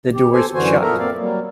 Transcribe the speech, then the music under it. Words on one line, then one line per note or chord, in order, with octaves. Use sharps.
The door's shut.
G4
A4 C5 G#5
F#2 D3 E3 F#4 C5 G#5
A#2 B3 A4 A#4 E5 A#5
A#3 C4 D5 F5
F#3 G3 A#3